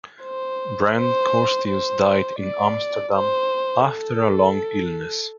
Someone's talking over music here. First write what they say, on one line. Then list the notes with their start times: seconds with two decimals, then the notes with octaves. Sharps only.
Brandt Corstius died in Amsterdam after a long illness.
0.23 C5
0.96 C5
1.68 C5
2.41 D5
3.14 C5
3.87 A4